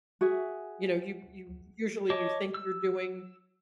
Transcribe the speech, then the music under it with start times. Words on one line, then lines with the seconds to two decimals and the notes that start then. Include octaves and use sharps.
you know, you you usually, you think you're doing,
0.21 F#4 G#4 E5
2.10 C#5 D#5 A5 D6
2.54 E6